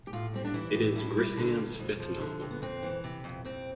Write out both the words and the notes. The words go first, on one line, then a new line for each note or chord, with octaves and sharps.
It is Grisham's fifth novel.
G4
A2 F4
G3 C4
D4
E3 E4
A2
G2 E4
G3
D3
G2
F2
F3
D3
F2
B3
F2 C4
E3
C3
F2
F2 C4